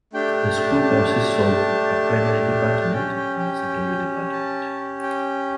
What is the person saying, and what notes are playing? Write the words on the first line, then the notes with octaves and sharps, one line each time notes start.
The school consists of a primary department and a secondary department.
A3 D4 G4 G5
G5
A5
A5
A5
C#4 G4 G5
G5
G5
A5
G5